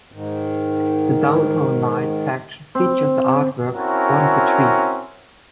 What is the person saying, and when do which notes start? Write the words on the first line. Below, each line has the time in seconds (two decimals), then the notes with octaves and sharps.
The Downtown Line section features the artwork What is a Tree?
0.12 G#2 D#3
2.75 C4
3.72 C4 C#4 E4 F#4 A#4